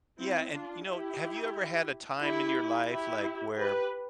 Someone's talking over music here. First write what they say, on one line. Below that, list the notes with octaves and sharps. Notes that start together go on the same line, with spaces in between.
Yeah, and, you know, have you ever had a time in your life, like, where
C4 E4
D4 F4
E4 G4
E4 G4
E4 G4
G4 B4